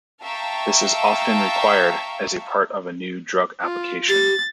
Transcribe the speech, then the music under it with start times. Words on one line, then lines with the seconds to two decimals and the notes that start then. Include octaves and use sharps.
This is often required as a part of a new drug application.
0.23 E5 F5 G5 A5 A#5 C#6
3.63 F4
4.09 G4 A6